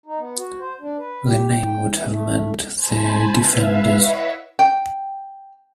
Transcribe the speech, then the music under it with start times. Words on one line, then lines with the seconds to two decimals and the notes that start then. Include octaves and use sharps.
The name would have meant the "defenders".
0.06 D#4
0.19 B3
0.38 F#4
0.60 C5
0.80 D4
0.98 B4
1.25 G4
1.49 G5
1.64 G5
1.89 E3
2.09 A3
2.74 C5 G#5 A5 B5
3.37 B4 E5 F5
3.93 E4 B4 C#5 D#5 E5 F#5
4.59 G5